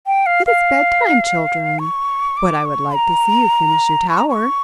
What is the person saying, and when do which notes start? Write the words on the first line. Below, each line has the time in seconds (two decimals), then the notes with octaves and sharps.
"It is bed-time, children, but I would like to see you finish your tower."
0.07 G5
0.26 F5
0.46 F5
1.79 C#6
2.37 D6
2.65 C#6
2.95 A#5
4.10 C#6
4.19 A#5
4.29 C#6